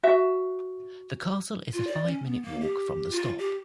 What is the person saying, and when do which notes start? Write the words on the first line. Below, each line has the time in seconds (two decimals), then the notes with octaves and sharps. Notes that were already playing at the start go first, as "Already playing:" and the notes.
The castle is a five-minute walk from the stop.
0.03 F#4 E5
1.73 F4
1.87 D5
2.06 C#4
2.24 B3
2.43 A#3
2.61 G4
3.11 F4
3.38 G4